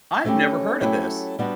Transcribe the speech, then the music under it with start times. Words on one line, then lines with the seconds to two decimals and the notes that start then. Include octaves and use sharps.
I've never heard of this.
0.24 F#3 A3 C#4 E4 G4
0.81 F#3 A3 C#4 E4 G4
1.39 G3 B3 D4 F#4